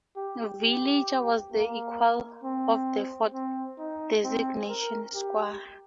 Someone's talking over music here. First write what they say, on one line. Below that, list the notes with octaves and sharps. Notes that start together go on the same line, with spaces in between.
Villager was the equal of the Ford designation "Squire".
G4
G4
A#3
C4
C4
D#4
C4
A#4
G4